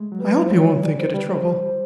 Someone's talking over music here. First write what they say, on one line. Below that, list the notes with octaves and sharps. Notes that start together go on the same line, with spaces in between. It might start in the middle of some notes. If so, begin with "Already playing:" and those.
I hope you won't think it a trouble?
Already playing: G#3 A3
F#3
G3 B4
F3 C5
F#3 C#5
G3 D5
C5
G3 B4
C5